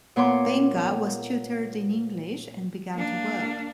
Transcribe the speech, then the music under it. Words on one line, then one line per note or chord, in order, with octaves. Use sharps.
Benga was tutored in English and began to work.
A#2 B3 C#5 C6 D6
A#3 D4